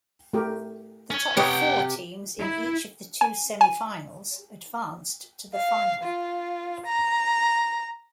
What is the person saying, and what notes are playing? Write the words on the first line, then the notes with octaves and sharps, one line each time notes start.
The top four teams in each of the two semifinals advanced to the final.
A3 G4 A#4
C#4 C#5
C3 G4 B4 C#5 D#5 F#5 G5
E4
G#5
G#5
F5
F4
A#5